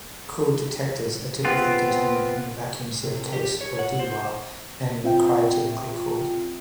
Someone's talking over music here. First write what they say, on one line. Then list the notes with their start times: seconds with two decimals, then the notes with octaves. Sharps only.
Cooled detectors are typically contained in a vacuum-sealed case or Dewar and cryogenically cooled.
1.45 B3 C4 F4
3.03 C3
3.33 G4
3.61 C#5
3.79 F#5
3.99 C5
5.04 C4 F4 E5 G5